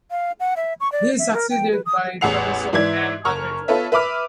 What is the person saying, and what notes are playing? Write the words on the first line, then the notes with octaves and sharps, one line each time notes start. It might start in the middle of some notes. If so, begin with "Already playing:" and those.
He is succeeded by Tommaso and Alberto.
F5
F#5
E5
C#6
D5
E5
A#4
G5
B4
D#6
A1 E2 G#4 F#5 C7 F7
G#2 E3 E4 D5 E5 G#6
F#1 A#5 C#6 F6
B3 F4 A4 B4 C#5 E5
B4 E5 B5 D6 F6